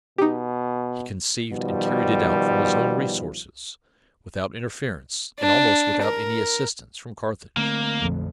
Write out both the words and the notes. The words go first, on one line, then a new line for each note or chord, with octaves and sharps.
He conceived and carried it out from his own resources, without interference and almost without any assistance from Carthage.
B2 D#4 G4
B2 D#3 F3 G3
D4
A#4
D3 A3 A#3 C4
A#1 F2